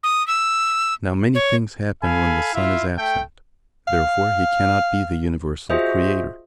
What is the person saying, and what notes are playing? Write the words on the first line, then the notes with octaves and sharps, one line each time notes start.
Now many things happen when the Sun is absent; therefore he cannot be the universal creator.
D#6
E6
C#5
A4 F5 G#5 B5
E4 F4 E5 F5
A3 G5
F5
F4 F#4 G#4 C5 D#5 E5